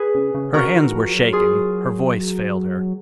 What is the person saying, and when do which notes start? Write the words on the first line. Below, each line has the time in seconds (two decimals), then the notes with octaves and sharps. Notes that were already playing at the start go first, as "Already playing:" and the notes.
Her hands were shaking, her voice failed her.
Already playing: G#4 B4
0.15 C#3
0.35 C#3
0.54 C#3 F#4 A#4
0.65 C#3
0.74 D#3
0.93 F3
1.13 F#3
1.32 F4 G#4